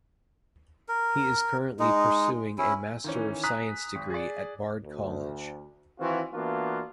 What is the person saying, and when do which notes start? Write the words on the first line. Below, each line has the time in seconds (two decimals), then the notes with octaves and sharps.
He is currently pursuing a master of science degree at Bard College.
0.88 A#4
1.79 G#3 D#4
2.58 C#4 E4
3.04 D#3 E3 C#4
3.43 G#5 A#5 D#6 F#6 B6
3.95 G#1
4.10 G#4 D5
4.84 D2
6.00 D#3 E3 C4 F4 F#4
6.33 E3 A#3 B3 D4 F4 F#4